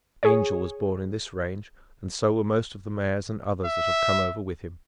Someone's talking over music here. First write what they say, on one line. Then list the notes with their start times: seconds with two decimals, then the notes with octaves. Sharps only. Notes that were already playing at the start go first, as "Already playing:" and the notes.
Angel was born in this range, and so were most of the mares and others that have come over with him.
0.23 G#4 C#5
3.66 E5